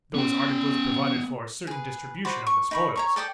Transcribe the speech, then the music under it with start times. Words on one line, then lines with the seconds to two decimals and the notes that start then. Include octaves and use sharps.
Those articles provide for a certain distribution of the spoil.
0.15 B3 C#4 G5
1.67 G#4 B4
2.25 F#4 C5 D5 B5
2.47 C#6
2.71 D#4 B5 C#6
2.96 C#5 A#5 C#6
3.16 A4 D5 G5 D#6